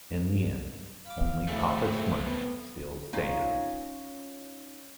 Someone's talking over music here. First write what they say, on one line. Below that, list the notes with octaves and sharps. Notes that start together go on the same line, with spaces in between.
In the end, only Papa Smurf still stands.
F5 B5 D6
D2 A2 C#3 A3 C4 E4
B3
C#4 D#4 F4